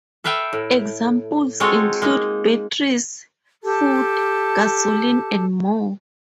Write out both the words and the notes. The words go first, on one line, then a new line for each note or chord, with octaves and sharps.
Examples include batteries, food, gasoline, and more.
A4 B4 E5 F5 G5
A2
G#3 C4 F4 F#4 A4 C#5
G#3 A#3 D#4
G4 A4 A5